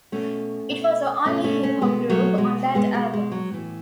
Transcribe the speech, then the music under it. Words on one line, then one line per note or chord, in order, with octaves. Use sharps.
It was the only hip hop group on that album.
B2 A3 C#4
B2
B2 A3 C#4
A3 C#4
A3 C#4
B2 G#3 B3
F#3 A3
B2 G#3
G#3 B3
B2 G#3
G#3
F#3
A2 E3